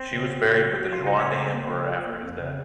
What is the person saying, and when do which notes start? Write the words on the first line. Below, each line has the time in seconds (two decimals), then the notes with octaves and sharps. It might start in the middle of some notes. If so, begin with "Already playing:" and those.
She was buried with the Xuande Emperor after his death.
Already playing: C4
0.11 C#3
0.28 F#4
0.46 C#3
0.64 F#3
0.81 F#4
0.92 F4
0.99 C#3
1.07 D#4
1.16 C#3 C#4
1.33 C#3 C4
1.51 A#3
1.69 C#3
1.86 F3
2.04 A#3
2.21 F2
2.38 C#3